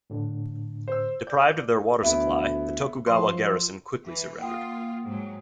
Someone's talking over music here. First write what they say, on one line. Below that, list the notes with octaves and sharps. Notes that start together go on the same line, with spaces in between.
Deprived of their water supply, the Tokugawa garrison quickly surrendered.
A2 D3
C5 E6
D5 G6
D2 B3 E4
F3 C6
E3
A#3 F4 F#5 G5 D#6
G#2 F#3